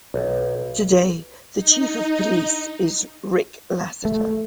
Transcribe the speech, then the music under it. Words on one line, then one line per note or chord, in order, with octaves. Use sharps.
Today the chief of police is Rick Lassiter.
B1
D#4
A3